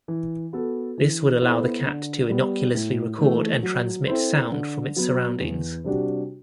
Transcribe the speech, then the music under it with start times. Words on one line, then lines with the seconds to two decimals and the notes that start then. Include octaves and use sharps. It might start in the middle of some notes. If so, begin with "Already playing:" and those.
This would allow the cat to innocuously record and transmit sound from its surroundings.
0.08 E3
0.53 B3 F#4 A4
0.98 E3
1.42 B3 E4 A4 C5
1.86 D3
2.30 G3 B3
2.74 A2
3.18 E3 A3
3.63 F#3
4.08 C4 E4 A4 C5
4.52 D3
4.96 F#3 B3
5.40 E2
5.84 C3 G3 D4 F#4